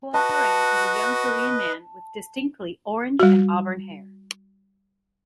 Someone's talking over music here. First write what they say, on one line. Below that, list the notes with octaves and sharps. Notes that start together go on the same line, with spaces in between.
Hwoarang is a young Korean man with distinctly orange and auburn hair.
F#4 B4 D#5 A5
G3 F#4